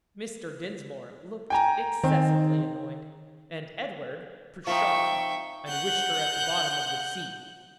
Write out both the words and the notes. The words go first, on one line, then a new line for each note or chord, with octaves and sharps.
Mr. Dinsmore looked excessively annoyed, and Edward "pshawed, and wished her at the bottom of the sea."
G5 G#5 A#5
D#3 C4
F3 C4 D#4 E5 G5 C#6
F#5 F#6 G6